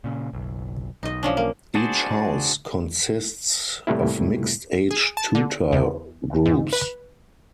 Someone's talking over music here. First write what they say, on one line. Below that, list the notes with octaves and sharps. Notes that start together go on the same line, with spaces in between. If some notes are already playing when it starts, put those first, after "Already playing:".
Each house consists of mixed age tutor groups.
A#2 C#3
F#1 B1
B1 D#4 D#5
F3 C#4 D4
A#3
D4 F#4 G#4 C5 D5
A2 C3 G3 A3 A#3 E4
G#4
A5
D3
E2
G#2
B4